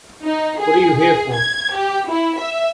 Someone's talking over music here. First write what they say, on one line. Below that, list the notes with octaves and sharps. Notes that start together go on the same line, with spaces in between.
What are you here for?
D#4
G#4
G#4
G#6
G4
E4
E5